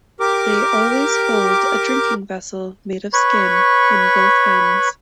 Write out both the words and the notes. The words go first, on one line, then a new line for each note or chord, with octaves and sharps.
They always hold a drinking vessel made of skin in both hands.
G4 A#4 D6
B4 C#5 B5 C#6